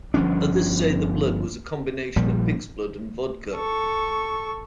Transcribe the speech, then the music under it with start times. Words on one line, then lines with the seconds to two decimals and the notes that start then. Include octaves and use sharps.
Others say the blood was a combination of pig's blood and vodka.
0.14 G1 F3 C#4 D4
2.16 A#1 A#2 F3 G3
3.55 A4 C#6